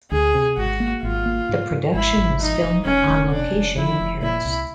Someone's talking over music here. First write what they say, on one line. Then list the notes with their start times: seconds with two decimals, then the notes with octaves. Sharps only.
The production was filmed on location in Paris.
0.11 D2 G#4
0.34 C3
0.57 G#1 F#4
0.80 A#3
1.03 G#1 F4
1.26 A#3
1.49 G#2
1.71 G#2
1.94 G#1 E4
2.17 G#1
2.40 F2 D#4
2.62 F1
2.85 F1 C#4
3.08 F1
3.31 C3 D4
3.54 F1
3.77 F2 E4
4.00 F1
4.22 A#2 E4
4.45 C2